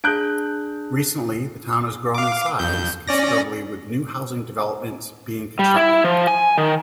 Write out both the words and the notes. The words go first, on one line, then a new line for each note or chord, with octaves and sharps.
Recently, the town has grown in size considerably with new housing developments being constructed.
D4 G#4 F#6 G6 D7
F5 D6
F2 G6
C#4 D5 A#6
G3
E4
F3
G#5
D#3